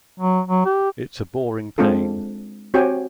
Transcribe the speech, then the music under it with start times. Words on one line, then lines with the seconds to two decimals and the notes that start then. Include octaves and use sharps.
It's a boring pain.
0.20 F#3
0.48 F#3
0.65 G4
1.78 G#3 C4 D4 F4 A4
2.74 C4 F#4 G4 C#5 G5 G#5